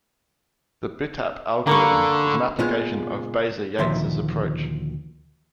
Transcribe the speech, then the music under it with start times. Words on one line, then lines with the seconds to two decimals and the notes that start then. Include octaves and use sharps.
The bitap algorithm is an application of Baeza–Yates' approach.
1.67 D3 A#3 B5 C#6
2.59 A#2 C#3 G#3 B3 F4
3.78 D2 A#2 D#3 F3 E5 C6